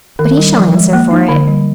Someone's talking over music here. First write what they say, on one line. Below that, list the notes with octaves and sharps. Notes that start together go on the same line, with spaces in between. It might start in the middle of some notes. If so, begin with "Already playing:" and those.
'But he shall answer for it.
D#3
G3
F3
G#3
A#3
D#4
D3
G3